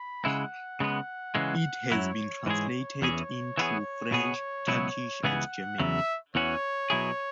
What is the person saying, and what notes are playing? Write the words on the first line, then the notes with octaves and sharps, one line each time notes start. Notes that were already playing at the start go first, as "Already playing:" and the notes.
It has been translated into French, Turkish, and German.
Already playing: B5
C#3 G#3 E4 F#5
C#3 G#3 B3
C#3 E3 G#3
F#2 F#3 E4 C#5
G#2 E3 G#3 E4 G#4 C#5
E2 E3 C#4 G#4 C#5
E3 B3 E4 G#4
B2 B3 G#4
C#2 B2 F#3 B3 E4
C#2 C#3 E3 B3 G#4 F#5
E2 C#3 F#3 E5
E2 E3 C#4 F#4 C#5
B2 F#3 E4 G#4